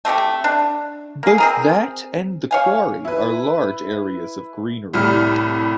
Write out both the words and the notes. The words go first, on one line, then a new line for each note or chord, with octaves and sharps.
Both that and The Quarry are large areas of greenery.
A3 C4 G4 A4
D4
A#3 G#4
C4 G#4 A#4
C#5 F5 G#5
E4 B4
C2 A2 G3 F6